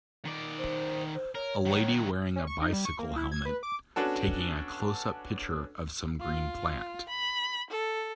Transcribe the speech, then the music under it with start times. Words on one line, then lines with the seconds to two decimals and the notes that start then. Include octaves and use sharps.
A lady wearing a bicycle helmet taking a closeup picture of some green plant.
0.25 D#3 D5
0.58 C5
1.15 C5
1.35 A#4 C#5
1.66 D#3 F#3
2.36 C#4
2.47 C#6
2.62 D#4
2.73 G3
2.85 C#6
2.99 A#3
3.16 E4
3.32 G#6
3.45 B4
3.63 D6
3.96 B3 C#4 D4 F#4 A4
6.20 F4
7.09 B5
7.70 A4